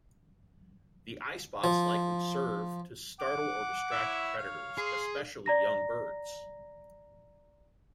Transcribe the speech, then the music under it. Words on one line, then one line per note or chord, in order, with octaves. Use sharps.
The eyespots likely serve to startle or distract predators, especially young birds.
F3
F#5 D6
E4 C#5 E5
C#5 F5
G#4 C6
D5 A#5 A#6